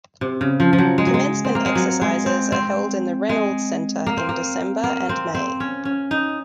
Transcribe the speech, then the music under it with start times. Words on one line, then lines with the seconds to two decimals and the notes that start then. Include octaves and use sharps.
Commencement exercises are held in the Reynolds Center in December and May.
0.21 C3
0.41 C#3
0.60 F3
0.73 F3
0.79 F#3
0.98 G#3
1.07 F#3
1.14 G#3
1.45 C4
1.55 A#3
1.66 G#3
1.75 F#3
2.01 G#3
2.26 C4
2.52 C4
3.29 G#3
4.06 A#3
4.17 C4
4.29 A#3
4.84 A#3
5.09 C4
5.35 C4
5.60 C#4
5.85 C#4
6.11 D#4